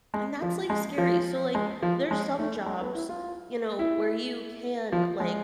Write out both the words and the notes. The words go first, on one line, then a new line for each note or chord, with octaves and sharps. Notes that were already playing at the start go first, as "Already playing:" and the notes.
And that's, like, scary. So, like, there's some jobs, you know, where you can, like,
G#3
F3
G#3
F3
G#3
F3
G#3
A3
G#3
B3
E4
F4
E4
F3
G#3